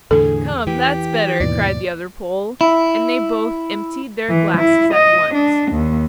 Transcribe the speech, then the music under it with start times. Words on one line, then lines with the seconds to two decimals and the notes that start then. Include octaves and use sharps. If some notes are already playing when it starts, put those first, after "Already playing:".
"Come, that's better!" cried the other Pole, and they both emptied their glasses at once.
0.11 E2 A2 D3 G#4 A4
0.67 E3 G4
1.40 D#2 G#2 B2 D5
2.61 E4
4.29 E3
4.57 E4
4.93 D#5
5.34 D4
5.72 D#2